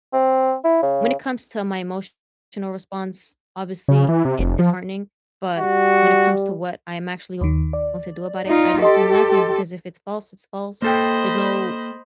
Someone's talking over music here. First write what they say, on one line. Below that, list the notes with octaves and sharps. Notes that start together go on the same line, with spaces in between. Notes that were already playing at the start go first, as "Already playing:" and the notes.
when it comes to my emotional response, obviously, it's disheartening, but when it comes to what I'm actually going to do about it, I just do nothing, because if it's false, it's false, there's no
C4
E4
C#3
C#3
E3
C3
F1
F3
G3 F#4
D#2 D#3
D5
D#4 F4
G4 A4 D#5 C6
A#3 A4 C5 D#5 G5 B5